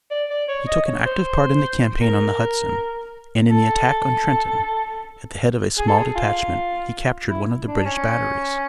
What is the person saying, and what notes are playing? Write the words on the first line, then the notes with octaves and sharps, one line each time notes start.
He took an active part in the campaign on the Hudson, and in the attack on Trenton, at the head of a small detachment, he captured one of the British batteries.
D5
D5
C#5
D#5
C#5
C5
A#4
A4
G#4
A4
G#4
F4
E4
D4
C#4